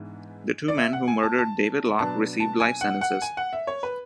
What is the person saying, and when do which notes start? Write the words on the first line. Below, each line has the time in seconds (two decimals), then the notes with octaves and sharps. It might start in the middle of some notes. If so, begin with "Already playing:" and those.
The two men who murdered David Locke received life sentences.
Already playing: G#2 E3 B3 D4
0.68 D5
0.77 E5
0.93 F#5
1.08 G#5
1.23 A5
1.38 A5
1.99 B2 F#3 B3 D4 A5
2.40 A5
2.60 G#5
2.81 F#5
3.01 F#5
3.22 G#5
3.37 F#5
3.53 E5
3.67 C#5
3.83 B4